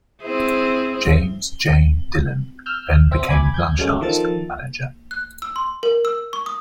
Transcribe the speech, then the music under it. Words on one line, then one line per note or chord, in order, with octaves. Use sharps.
James J. Dillon then became Blanchard's manager.
C4 E4 G#4
E6 F6 G6
C4 E5
G#5 B5 D6 G#6
G6 G#6
F#2 F#3 G#3 A3
D#3 F3 A4 A6
F#6
E6
C6
A#4
E6
C#6
D#6